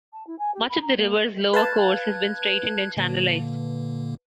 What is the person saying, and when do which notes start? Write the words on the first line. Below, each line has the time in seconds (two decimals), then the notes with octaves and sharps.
Much of the river's lower course has been straightened and channelized.
0.13 A5
0.27 E4
0.39 G#5
0.55 G4
0.70 B5
0.82 A#5
0.97 A#3
1.53 B4 F5 A5 F#6 G#6
2.97 A#2 D3 A#3